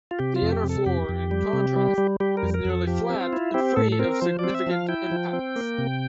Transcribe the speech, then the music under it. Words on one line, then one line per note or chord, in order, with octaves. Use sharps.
The inner floor, in contrast, is nearly flat and free of significant impacts.
F4
C3 G4
F4
F2
G4
C3
A4
F2 G4
F2
G3
C3
G3
G3
G3 G4
A#4
F2
A#4
F2
A4
F3 G4
C4
F4
E4
C4 G4
A2 A4
A4
C4 A#4
F3 C5
C4 D5
E5
F3 F5
E4 G5
F3
C4
A#3
C3